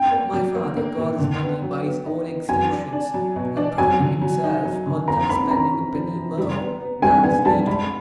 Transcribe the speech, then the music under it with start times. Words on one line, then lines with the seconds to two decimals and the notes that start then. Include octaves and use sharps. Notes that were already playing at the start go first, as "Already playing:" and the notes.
My father got his money by his own exertions, and prided himself on never spending a penny more than was needed.
Already playing: G5
0.12 A#3
0.33 F#3
0.55 A#3
0.77 A#3
0.98 A#2
1.19 D3
1.42 B3
1.62 F#3
1.84 B3
2.06 D#4
2.27 B3
2.48 F#3 G#5
2.70 D4
2.93 D4
3.14 F#3
3.36 B2
3.57 D4
3.78 F#3 G#5
4.00 D3
4.22 F#3
4.44 D#4
4.65 F#3
4.87 D3
5.08 A#3 A#5
5.29 A#3 B5
5.51 C#4 A#5
5.73 F3
5.95 F3
6.16 F3
6.38 G3
6.60 B3
6.80 B3
7.02 G3 G#5
7.24 B3 G#5
7.45 G3 A5
7.66 G#3 B5